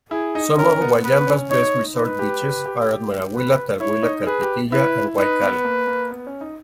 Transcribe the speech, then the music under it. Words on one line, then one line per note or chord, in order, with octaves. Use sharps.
Some of Wayamba's best resort beaches are at Marawila, Talwila, Kalpitiya and Waikkal.
E4 G#4
D#4
C#4 A#4
B3
B3 B4
C#4
D#4 C#5
D#4 B4
G4
G4
G4
B4
E4 C#5
D#4
G#4 B4
G4
E4 B4
D#4 B4
B3
A#3
A#3
B3
C#4
D#4